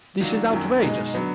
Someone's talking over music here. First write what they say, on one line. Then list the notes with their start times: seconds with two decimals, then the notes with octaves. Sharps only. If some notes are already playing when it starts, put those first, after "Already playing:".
This is outrageous!
0.20 D#3 F#3 D4 F4
0.51 F#2 D#3 F#3
0.82 B2 G#3 D#4 G#4
1.14 D3 F#3 B3